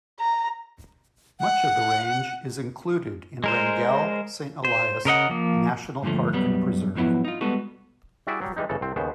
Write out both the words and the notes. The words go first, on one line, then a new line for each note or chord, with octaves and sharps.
Much of the range is included in Wrangell-Saint Elias National Park and Preserve.
A#5
F#5
G#3 A#4 C5
C5
C#3 A#4 D#5 F#5
F3 A#3
G2 A#2 D3 F3 A3
B1 F#2 F#3 G3 B3
G#2 F3 F#3 B3 E4
D#4 F4
G3 G#3 B3 F#4 A4
G3 E4 F#4 G#4 D5 E5
F#3 G3
E3 G3 G#3 D#4
G1 C#3 E3 A4
C2 C4
D#2 C#3 B3 C5